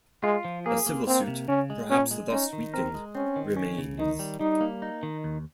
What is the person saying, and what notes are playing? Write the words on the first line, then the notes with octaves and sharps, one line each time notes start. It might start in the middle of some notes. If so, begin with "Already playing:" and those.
A civil suit, perhaps thus weakened, remains.
G#3 F4
F3
A#3 G#4
A#3
A#3 C4
C3
C#3 C#4
G#3
A#2 C#4
G#3
C#4 D#4
D#3
C4 A#4
G#3
C4 C#4
D#3
C#4
C#3
D#3 D#4
G3
G3 D#4
A#3
D#4
D#3
D#2